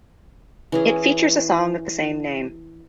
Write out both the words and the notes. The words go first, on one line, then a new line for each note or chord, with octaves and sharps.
It features a song of the same name.
E3 C#4 G#4